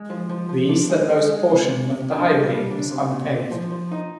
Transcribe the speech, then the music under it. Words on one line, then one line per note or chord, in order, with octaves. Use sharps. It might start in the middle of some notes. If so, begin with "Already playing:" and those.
The easternmost portion of the highway was unpaved.
Already playing: G#3
F3
F3
F3
D4
G#3
G#3
G#3
C3
C3
C3
D4
G3
G3
D4
C3
A#2
A#2
F3
F3
D#4